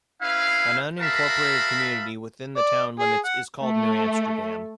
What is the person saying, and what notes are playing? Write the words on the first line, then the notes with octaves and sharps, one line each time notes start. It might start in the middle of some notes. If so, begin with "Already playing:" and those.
An unincorporated community within the town limits is called New Amsterdam.
C#4 E4 B4 F5
F#4 A#4 E5 F5 A5 B5
D5
G#4
F#5
A3